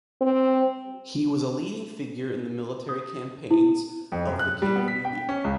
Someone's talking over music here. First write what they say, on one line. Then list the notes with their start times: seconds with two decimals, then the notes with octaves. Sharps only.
He was a leading figure in the military campaigns of the king in Nubia.
0.21 C4
2.89 D#6
3.51 E4
4.12 F2
4.27 F#2
4.39 F#6
4.62 G3
4.76 B3
4.88 B6
5.05 G5
5.29 C#4
5.44 C#2